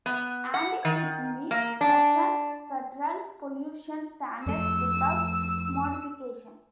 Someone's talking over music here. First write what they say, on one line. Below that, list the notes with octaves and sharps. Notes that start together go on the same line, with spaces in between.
And it meets present federal pollution standards without modification.
B3
F#5
D#3
A#3
D4
F2 A3 E6